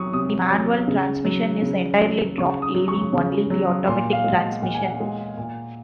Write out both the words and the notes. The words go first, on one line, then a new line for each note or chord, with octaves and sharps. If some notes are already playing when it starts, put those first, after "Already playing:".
The manual transmission is entirely dropped, leaving only the automatic transmission.
Already playing: C3 F#3 C#6 D#6
C3 D#6
F#3
C#3
F#3
C#3
F#3
C#3 C#6
D#6
F#3
C#6
C#3
F#3
A#2 C6
F5
G#3
F#5
A#2 F#5
G#5
F#5
G#3
A#2